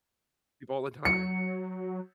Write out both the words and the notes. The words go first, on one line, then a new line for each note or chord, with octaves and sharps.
people all the time.
F#3 C#7